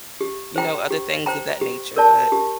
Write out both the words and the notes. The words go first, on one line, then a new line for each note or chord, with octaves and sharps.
you know, other things of that nature, but
G4
C5 G5 A#5
G4
C5 G5 A#5
G4
A#4 D5 A5
G4